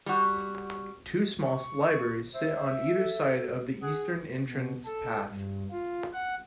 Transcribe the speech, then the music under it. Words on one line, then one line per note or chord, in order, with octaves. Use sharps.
Two small libraries sit on either side of the eastern entrance path.
G3 F#4
C#6
C5 E5
A4
G#4 F#5
B2
A4
G2
F4
F#5